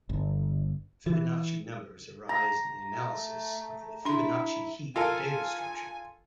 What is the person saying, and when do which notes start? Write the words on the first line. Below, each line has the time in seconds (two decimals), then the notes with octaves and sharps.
Fibonacci numbers arise in the analysis of the Fibonacci heap data structure.
0.09 G1
1.06 E3
2.29 A#5
2.96 A3
4.05 D4 E4 C6
4.96 F4 A4 A#4 G#5